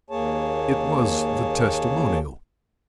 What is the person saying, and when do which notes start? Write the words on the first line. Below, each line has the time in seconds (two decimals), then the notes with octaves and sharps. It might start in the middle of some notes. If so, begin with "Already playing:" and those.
It was the testimonial.
0.10 D#2 A#3 G#4 C#5 A5